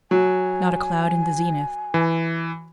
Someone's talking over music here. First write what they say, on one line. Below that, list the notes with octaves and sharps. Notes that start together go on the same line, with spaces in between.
Not a cloud in the zenith.
F#3 G#5
E3